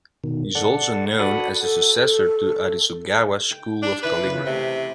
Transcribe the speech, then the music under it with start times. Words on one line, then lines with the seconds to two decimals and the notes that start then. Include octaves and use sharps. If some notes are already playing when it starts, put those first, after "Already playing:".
He is also known as a successor to Arisugawa school of calligraphy.
0.24 B2 D#3
0.55 A4 D5 F#5
1.19 F#4 A4 D5 F#5 B5 D#6
1.60 A4
3.51 G5
3.83 D4
4.03 E3 B4 B5
4.23 C#3 B3
4.46 C3 A3 C5